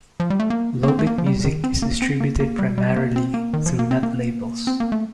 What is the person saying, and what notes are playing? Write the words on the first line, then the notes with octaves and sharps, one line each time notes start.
Low-bit music is distributed primarily through net labels.
F3
G3
A3
A#3
A#3
C4
A3
A#3
F3
G3
D#3
C4
A#3
C4
A#3
A#3
G3
G3
A#3
C4
A#3
D#3
F3
A#3
C4
A#3
C4
A#3
A3